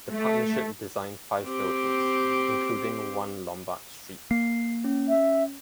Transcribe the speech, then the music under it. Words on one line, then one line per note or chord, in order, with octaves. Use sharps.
The partnership designed five buildings, including One Lombard Street.
A3
C4 G4
A#3 C7
C#4
E5